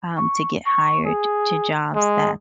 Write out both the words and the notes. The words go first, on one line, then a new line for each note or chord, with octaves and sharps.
um, to get hired to jobs that
C#6
C#6
G#4
G#3